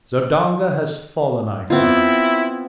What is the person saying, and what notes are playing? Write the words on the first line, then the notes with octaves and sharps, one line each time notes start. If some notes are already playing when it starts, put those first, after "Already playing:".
"Zodanga has fallen," I cried.
B3 C4 E4 F4